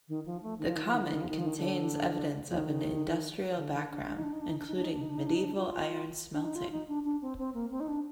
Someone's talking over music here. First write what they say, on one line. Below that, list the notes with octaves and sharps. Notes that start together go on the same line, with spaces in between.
The Common contains evidence of an industrial background, including medieval iron smelting.
D#3
F3
A3
D#3
F3
D#3
F3
D#3
F3
D#3
F3
D#3
F3
D#3
D3
F3
D#3
D3
D#3
D4
D4
D#4
D4
D#4
D4
D#4
D4
D#4
D4
D#4
D4
D#4
D4
D#4
D4
D#4
D4
F4
D4
D#4
F4
D#4
D4
D4
C4
C4
A#3
C4
D#4
D4